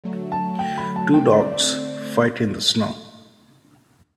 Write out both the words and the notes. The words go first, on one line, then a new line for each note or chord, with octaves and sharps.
Two dogs fight in the snow.
D3 F#3 A3
A5
G5
B5
A5
D3 A3 C4 G5
D5
D5